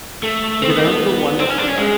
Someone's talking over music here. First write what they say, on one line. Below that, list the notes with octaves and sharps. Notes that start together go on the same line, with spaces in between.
Because I remember the one before that.
A3
C4
B3
A#3
B3
C4
C#4
D4
C#4
G#3